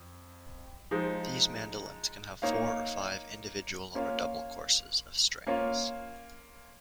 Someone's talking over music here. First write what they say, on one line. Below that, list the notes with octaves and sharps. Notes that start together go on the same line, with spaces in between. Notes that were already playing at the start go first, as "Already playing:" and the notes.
These mandolins can have four or five individual or double courses of strings.
Already playing: F2
F3 G#3 D#4
A#3 D#4 C#5 F5
A#3 C#4 F4 C#5 F5
A#3 C#4 F4 C#5 F5